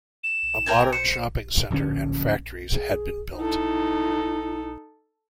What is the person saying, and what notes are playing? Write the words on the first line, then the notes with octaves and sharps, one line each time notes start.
A modern shopping centre and factories had been built.
E7
A#4 G5 G#5
C5 C#7
D1 A#1 D3 C#4
G#4
D#4 E4 A4